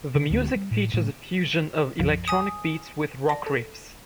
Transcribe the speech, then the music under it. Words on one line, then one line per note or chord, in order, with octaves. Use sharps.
The music features a fusion of electronic beats with rock riffs.
C#3
D1 D2 F#3 B3
G3
A2
A2 F#3
B1 F#2 F3
G#5 D#6
D5 A5 A#6
A4